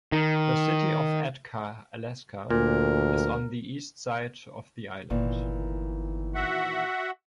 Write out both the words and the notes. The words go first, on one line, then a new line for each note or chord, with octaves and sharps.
The city of Atka, Alaska is on the east side of the island.
D#3
D2 A#2 A#4
G1 A#2 D#3 E3
F#4 E5 F#5